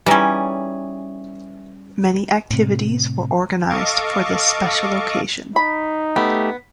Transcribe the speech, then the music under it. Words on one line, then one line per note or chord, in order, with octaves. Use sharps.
Many activities were organised for this special occasion.
E3 G3 C#4 D#4 G#4
A2 C3
A4 D#5 F5 C#6 D6
D#4 B5
A3 B3 G4